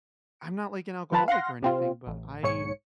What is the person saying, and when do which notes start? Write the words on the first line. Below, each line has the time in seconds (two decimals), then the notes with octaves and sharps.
I'm not like an alcoholic or anything, but I
1.12 F3 F4 B4 A5 B5
1.28 F5 F#5 C6 A#6
1.62 C3 C4 F4
2.07 A1
2.43 B1 G#2 C#5 C#7